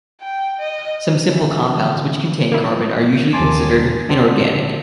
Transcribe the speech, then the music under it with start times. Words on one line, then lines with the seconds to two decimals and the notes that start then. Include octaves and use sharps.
Some simple compounds which contain carbon are usually considered inorganic.
0.21 G5
0.59 D#5
1.28 D3 E3
2.52 A#3 E4
3.33 D#2 D#3 G#5 A5 C6 D6
4.09 D3 C4